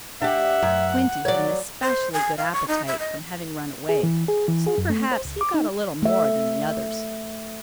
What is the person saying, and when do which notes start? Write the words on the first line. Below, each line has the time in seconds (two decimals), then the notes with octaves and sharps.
Squinty had an especially good appetite, from having run away, so perhaps he got a little more than the others.
0.22 D4 G4 E5 F#5
0.62 F#2
1.25 F#3 C#5 D5
1.83 C5
2.13 G#5
2.38 F5
2.53 C#6
2.68 D#4
2.87 E5
3.00 D#5
3.89 G#4
4.03 E3
4.28 G#4
4.48 E3
4.67 G#4
4.78 F#2
4.90 A3
5.12 C5
5.25 C#2
5.41 D6
5.54 D#4
6.03 A3 E5